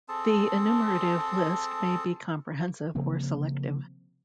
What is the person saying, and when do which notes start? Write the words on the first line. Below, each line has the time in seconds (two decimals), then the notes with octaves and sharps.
The enumerative list may be comprehensive or selective.
0.08 C4 G#4 A4 A5
2.95 C#3 F3 A#3 C4